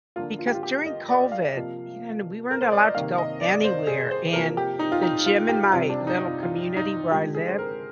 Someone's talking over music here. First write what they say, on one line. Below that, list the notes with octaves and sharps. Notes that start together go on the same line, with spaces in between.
because during COVID, you know, we weren't allowed to go anywhere, and the gym in my little community where I lived,
D3 F3 A#3 F4
F4
G4
F4
G4
D#5
D5
F5
C3 F3 A#3
A#4
C5
D5
D#5
C3 D#3 A#3 F5
D#5
D5
C5
G#4
C5
C3 F3 A#3 A#4
G4
D#4
F4
D#4
F4
G4
C3 G3 C4 F4
D4
D#4
D#4
F4
F4
D#4
D3 F3 G#3 G4
G#4
C5
A#4